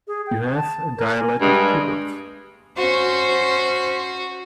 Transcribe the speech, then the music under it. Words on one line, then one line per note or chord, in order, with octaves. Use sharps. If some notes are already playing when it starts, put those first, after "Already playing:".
You have dilated pupils.
G#4
G5
A5
A#4
G#5
G2 G#3
C#4 F#4 C5